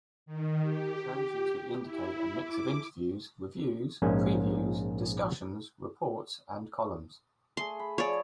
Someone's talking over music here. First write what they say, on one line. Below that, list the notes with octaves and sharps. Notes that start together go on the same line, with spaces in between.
Shows usually include a mix of interviews, reviews, previews, discussions, reports and columns.
D#3
G4
E4
D6
A#1 G#2 A#3 C#4 D#5 G#5
A3 G#4 C6
B5
F3 G#4 C#5 D5